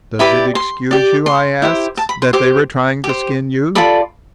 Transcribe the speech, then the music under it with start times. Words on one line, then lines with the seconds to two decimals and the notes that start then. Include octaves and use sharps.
Does it excuse you?' I asks, 'that they were trying to skin you?
0.19 E4 G4 B4 D5 B5
0.55 C6
0.91 G4 D5
1.26 C6
1.62 E4 G4 C5
1.97 A5
2.09 B5
2.22 C6
2.33 G4 C5 D6
3.04 G4
3.09 C5
3.75 F4 A4 D5 B5